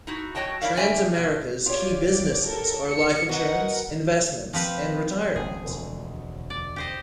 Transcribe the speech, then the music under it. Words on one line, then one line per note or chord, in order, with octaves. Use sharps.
Transamerica's key businesses are life insurance, investments and retirement.
D#4 E4 F#4
F#2 F#4 C#5 D#5 G5 A5
E4 A#4 C#5 D5 E5 F5
D3 A3 D5 E5 G5 G#5
B2 F#3 A#3
F4 G4 C#5 D5
A4 A#4
C#7
F#4 A#4 B4 D#5 F#5
F3 C4 B4
D#1 C#2 G#4
E1 D2 D3
D5
G4 C5 D#5